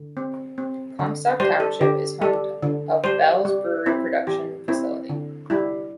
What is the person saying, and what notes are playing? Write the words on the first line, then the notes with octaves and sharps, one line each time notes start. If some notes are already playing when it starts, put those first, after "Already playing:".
Comstock Township is home of Bell's Brewery production facility.
Already playing: D3
C4
C4
D3
G3 C5
A4
D3 G4
G3 A4
D3
G3 C5
G3
C4 E4
E3 G4
C4 E4
D3
G3 E4